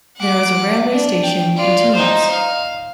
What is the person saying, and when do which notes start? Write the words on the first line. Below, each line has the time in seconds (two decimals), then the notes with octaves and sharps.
There is a railway station in Tuapse.
0.16 F#5 D6
0.92 D4
1.23 G5
1.57 F4 D5
1.94 D#4 C5
2.30 F5